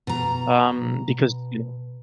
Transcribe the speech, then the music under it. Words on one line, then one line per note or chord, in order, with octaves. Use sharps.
um, because, you know
B2 A#5